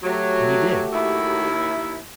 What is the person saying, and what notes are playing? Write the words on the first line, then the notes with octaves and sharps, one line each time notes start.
And he did.
F#3 A3 F#4 G4
D#2 E4